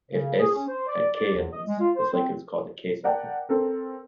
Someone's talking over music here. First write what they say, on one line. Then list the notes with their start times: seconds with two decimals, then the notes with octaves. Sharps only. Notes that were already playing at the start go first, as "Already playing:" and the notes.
If "S" has "k" elements, the cycle is called a "k"-cycle.
0.11 C#3
0.38 G#4
0.53 C#4
0.67 C5
0.87 D5
1.15 D5
1.35 E2
1.52 D#5
1.67 G#3
1.79 F4
1.96 C5
2.13 C4
3.04 A#4 D5 F#5 G5 A5
3.49 C4 A4 A#4